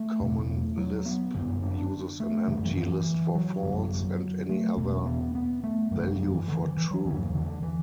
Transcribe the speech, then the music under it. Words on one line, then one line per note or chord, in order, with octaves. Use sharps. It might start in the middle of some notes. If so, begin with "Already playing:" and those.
Common Lisp uses an empty list for false, and any other value for true.
Already playing: A3
E2 B2
F#3
B3
F#2 D3
D4
A3
F#2 D3 E3
F#3
E3
F#3
F#2 D3
A3
E2 B2 B3
B3
B3
A3
F#2 D3 F#3
F#3
E3
D3
E3
E3
F#3
E2 D3 E3
D3
E3